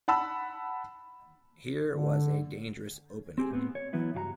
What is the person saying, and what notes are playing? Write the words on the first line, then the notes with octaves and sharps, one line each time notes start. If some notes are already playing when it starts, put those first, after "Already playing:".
Here was a dangerous opening.
F#5 A5 B5 E6
D3
C4 G4 G#4
A2 B3 C4
C#5
E3 F#3 B3 E4
C#2 G2 F#4 F5 A#5